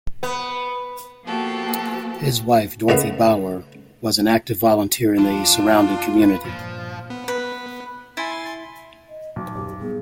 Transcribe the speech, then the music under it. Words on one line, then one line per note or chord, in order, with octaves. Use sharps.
His wife, Dorothy Brower, was an active volunteer in the surrounding community.
B3
F3 A#3 B3 F#4 G4 A4
D#2 C#3 A3 B3 F5
F2 E3 D4 F4
B4
G2 A#2 F3
B3
B4
E4 G#5 C6 A6
D#5
B1 A#2 D6
D#1 F#2 G4
A#2 G3 B3 G#4